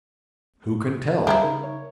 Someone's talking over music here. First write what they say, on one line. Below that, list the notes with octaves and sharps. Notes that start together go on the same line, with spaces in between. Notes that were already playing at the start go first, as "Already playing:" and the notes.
Who can tell?
D#3 G3 A#3 E4 G#4 E5 A#5 B5
C#3 D#4 A#4
C#5